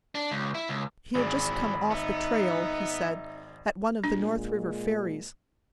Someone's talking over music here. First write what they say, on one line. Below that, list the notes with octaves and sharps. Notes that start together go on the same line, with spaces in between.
He had just come off the "trail," he said, at one of the North River ferries.
D4
C#2
E4
C#2
G#1 E3 F#3 G#4 D5 B5
B3 D#4 E5
A#2 G#3 D4